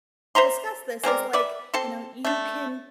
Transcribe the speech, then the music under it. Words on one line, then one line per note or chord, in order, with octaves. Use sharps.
discuss this is, like, you know, you can
C5 E5 A#5 C6
G#3 C4 A#4 D5
B4 D5 E5
C4 A4 A5 C6
A3 D4